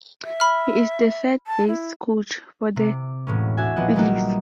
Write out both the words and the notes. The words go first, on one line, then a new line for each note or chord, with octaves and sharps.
He is the third base coach for the Phillies.
E5
B5 F6
A5
E4
C3 D6
E1 A2 C#4
D4 F#4 E5 G#5
A#1 F3 B3 D4 D#5 F#5
F#3 G3 A#3 D#4 F#4